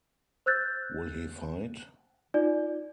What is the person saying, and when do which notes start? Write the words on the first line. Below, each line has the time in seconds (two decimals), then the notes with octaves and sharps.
Will he fight?
0.46 C5 E6 F#6 G6 A6
2.34 D#4 F4 D5